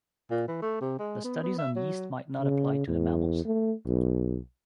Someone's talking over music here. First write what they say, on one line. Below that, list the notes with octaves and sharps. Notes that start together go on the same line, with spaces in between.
The studies on yeast might not apply to the mammals.
A#2
E3
A3
C3
G#3
B3
B3
E5
F#3
C#3
E2
A3
B1